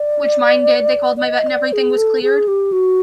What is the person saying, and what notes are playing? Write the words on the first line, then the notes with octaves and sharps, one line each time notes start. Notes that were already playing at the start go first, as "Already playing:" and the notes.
which mine did. They called my vet and everything was cleared.
Already playing: D5
D5
D#5
D5
G#4
A4
G#4
G4
F#4